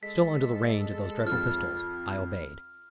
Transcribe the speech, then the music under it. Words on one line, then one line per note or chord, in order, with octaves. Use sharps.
Still under the range of those dreadful pistols, I obeyed.
G#3 A4 B6
F2 F3 F6